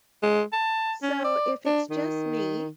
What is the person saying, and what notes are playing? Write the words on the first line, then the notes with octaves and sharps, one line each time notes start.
So if it's just me,
G#3
A5
C#4
D5
D4
D#3